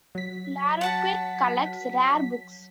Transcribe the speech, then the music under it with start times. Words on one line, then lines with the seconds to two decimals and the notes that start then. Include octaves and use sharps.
Larroquette collects rare books.
0.15 F#3 B6
0.81 F#5 A5 C#6